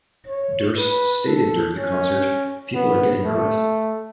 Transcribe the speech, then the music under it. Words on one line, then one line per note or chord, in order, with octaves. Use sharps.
Durst stated during the concert, People are getting hurt.
C#5
B4
A4
C#4
B3
A3